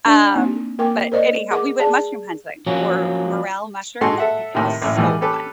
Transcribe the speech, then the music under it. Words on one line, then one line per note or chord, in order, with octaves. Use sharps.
um, but anyhow, we went mushroom hunting for morel mushrooms, and it was so fun.
D4 D5
A#3 C4 D#4
A#3 A#4 G5 D6
A#4 C5 D5 D#5
G#4 A#4 F#5 D6
G#4 D5 A5
F3 F#3 A#3 C#4
G#2 G#3 F#4 A4 C6
A4 E5 F#5
A2 C3 D#3
A1 F#2 A2
B2 D#3 E3 G3 G#3
C#4 G4 A4 B4